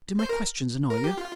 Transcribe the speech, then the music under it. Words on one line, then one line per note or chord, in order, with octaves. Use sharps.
"Do my questions annoy you?"
C5
A#4
A#4
G4
F4